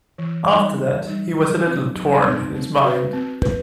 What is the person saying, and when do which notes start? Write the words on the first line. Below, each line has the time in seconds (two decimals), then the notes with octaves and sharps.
After that he was a little torn in his mind.
0.18 E3
0.48 G3 D#4
0.78 E3
1.07 G3 D#4
1.37 F#3
1.67 C4 D#4
1.96 F#3
2.25 C4 D#4
2.55 C4
2.84 F#4 B4
3.13 C4
3.43 B4